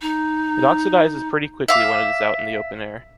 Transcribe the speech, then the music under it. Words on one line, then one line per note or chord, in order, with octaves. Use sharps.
It oxidizes pretty quickly when it is out in the open air.
D#4
E5 F5 D6